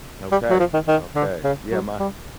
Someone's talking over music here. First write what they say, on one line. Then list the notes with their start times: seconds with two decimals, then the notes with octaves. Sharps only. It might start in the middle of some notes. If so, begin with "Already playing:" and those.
Okay, okay. Yeah, my
0.32 G3
0.50 F#3
0.59 F3
0.74 D#3
0.88 D#3
1.15 D3
1.44 C#3
1.71 F#3
1.99 G3